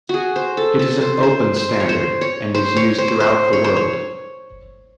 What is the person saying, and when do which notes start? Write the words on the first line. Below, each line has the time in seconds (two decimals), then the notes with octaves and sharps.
It is an open standard, and is used throughout the world.
0.09 F#4 G#4
0.36 C5
0.57 A4
0.79 A4
1.01 C5
1.23 C5
1.56 C5
1.80 C#5
1.89 C5
2.21 C#5
2.54 C5
2.76 C#5
2.98 C5
3.20 C5
3.53 C#5
3.64 C5
3.76 C#5